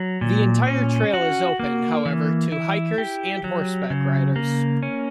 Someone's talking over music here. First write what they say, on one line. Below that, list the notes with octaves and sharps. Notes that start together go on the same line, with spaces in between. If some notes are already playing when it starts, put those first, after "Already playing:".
The entire trail is open, however, to hikers and horseback riders.
Already playing: F#3
A#2
C#4
F#4
A#3
E3
E4
G4
F#3
C#3
A#3
C#4